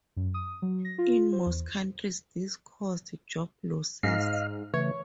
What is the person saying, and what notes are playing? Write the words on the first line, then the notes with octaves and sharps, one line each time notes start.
In most countries this caused job losses.
F#2
D#6
F#3
A#6
F4
C5
E2
G#2 D#5 F5 F6
C#3 E3 A3 C#5